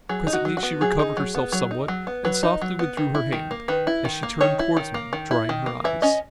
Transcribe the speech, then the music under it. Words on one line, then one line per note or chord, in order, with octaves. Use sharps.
Presently she recovered herself somewhat and softly withdrew her hand, as she turned towards me drying her eyes.
F#3 G#4
D#4
F#4
F#3
F#4
B3
F#3 G#4
D#4
F#3
B3
F#3
D#4
F#3
B3
F#3 B4
D#4
F#3
B3
D#3
E4
D#3
A#3
D#3 B4
E4
D#3
A#3
D#3 C#5
E4
D#3
A#3
D#3
E4
D#3
A#3
E3 E5
C#4 D#5